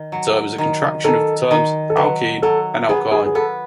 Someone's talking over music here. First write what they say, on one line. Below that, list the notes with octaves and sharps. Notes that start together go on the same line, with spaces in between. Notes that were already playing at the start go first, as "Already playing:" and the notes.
The term is a contraction of the terms alkene and alkyne.
Already playing: D#3
F#3
D#3
D#3 A4
D#3
A4
F#3 B4
F#3 A4
B3 G#4
G#4
G#4
B3 A4